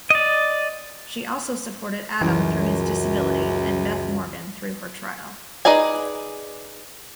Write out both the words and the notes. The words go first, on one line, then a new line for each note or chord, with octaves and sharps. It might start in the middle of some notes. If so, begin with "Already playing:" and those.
She also supported Adam through his disability and Beth Morgan through her trial.
D5 D#5
C#2 F#2 E3
D#4 G#4 B4 D5 G#5